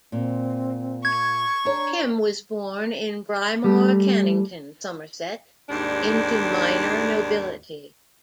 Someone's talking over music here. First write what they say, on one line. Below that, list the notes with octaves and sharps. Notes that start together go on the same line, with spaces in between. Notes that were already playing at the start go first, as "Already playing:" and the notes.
Pym was born in Brymore, Cannington, Somerset, into minor nobility.
A#2 C4
C#6 G#6
D4 C#5 A#5
G3 A3
D#2 G#2 G3 D4